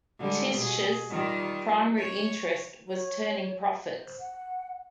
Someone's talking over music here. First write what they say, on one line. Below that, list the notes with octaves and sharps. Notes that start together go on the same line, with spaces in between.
Tisch's primary interest was turning profits.
D3 G3 G#3
B2 G#4
D#3 G3 F4
C#5
C#5
C5
F#5